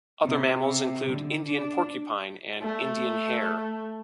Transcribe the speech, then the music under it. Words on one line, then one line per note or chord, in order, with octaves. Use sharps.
Other mammals include Indian porcupine and Indian hare.
C3
D3
D4
A3